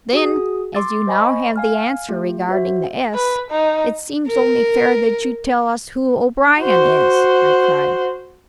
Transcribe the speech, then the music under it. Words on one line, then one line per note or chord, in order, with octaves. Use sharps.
"Then, as you now have the answer regarding the 'S,' it seems only fair that you tell us who O'Brien is," I cried.
F#4 G#4 D#6
C6 D6 E6 A6
C5 D#5 G#5 B5 C#6
F5 G#5 F6
A3 F4 G4
F#4 C5 E5
B4
D#4
A#4
F#4 C5